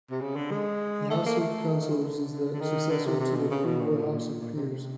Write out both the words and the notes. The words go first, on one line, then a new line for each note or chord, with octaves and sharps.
The House of Councillors is the successor to the pre-war House of Peers.
C3
C#3
D3
G#3
A3
A#3
A3
D#3
D#3
C#3
D3
D3
D#3
D3
C3
C3
B2
C#3
B2
A#2
A#2
A2
A#2
A#2
C3
C3